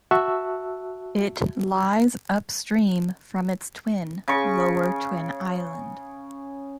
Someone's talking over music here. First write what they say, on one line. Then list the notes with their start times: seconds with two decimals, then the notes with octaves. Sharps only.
It lies upstream from its twin, Lower Twin Island.
0.11 F#4 E5 A5 C#6 E6 F#6
4.28 C#3 C#6